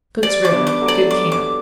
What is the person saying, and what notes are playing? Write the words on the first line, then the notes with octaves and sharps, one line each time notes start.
Soot's River.--Good camp.
G3 D5
D6
B3 D4
D6
F#3 A3
D5
G3 D6
D6